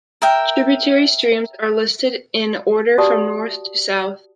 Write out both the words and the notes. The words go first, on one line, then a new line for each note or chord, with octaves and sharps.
Tributary streams are listed in order from north to south.
A#4 E5 G5
F#4 G4 D5 F#5 A5 D#6